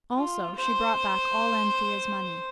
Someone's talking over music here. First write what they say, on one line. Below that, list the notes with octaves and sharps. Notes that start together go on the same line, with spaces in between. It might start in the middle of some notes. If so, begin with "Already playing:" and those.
Also she brought back all Anthea's money.
F4
C5